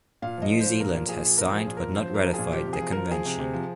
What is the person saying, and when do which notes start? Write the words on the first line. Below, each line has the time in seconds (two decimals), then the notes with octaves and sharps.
New Zealand has signed, but not ratified the convention.
0.22 A#2 F5
0.37 F3 D#5
0.52 F3
0.60 C5
0.65 A#2
0.80 F3 A#4
0.94 A#2
1.09 F3 G#4
1.24 A#2
1.38 F3 A#4
1.52 F3
1.57 G#4
1.67 A#2
1.77 F3 A#4
1.96 F3 C5
2.10 F3 A#4
2.24 F3
2.34 A#2 G#4
2.53 F3 G4
2.67 C3
2.73 G#4
2.81 F3
2.92 F3 A#4
3.10 F3 G#4
3.25 C3
3.39 C3
3.54 F3